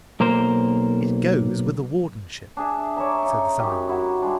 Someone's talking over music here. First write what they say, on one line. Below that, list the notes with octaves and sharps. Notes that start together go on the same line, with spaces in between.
"It goes with the wardenship," said the son-in-law.
B1 A#3 A#4 C5
D4 G#4 E5
C#5 D5 E5 A#5
C#3 D#4
F#2 G4
D#4 E4 F#4 G5
G3 G#3 D4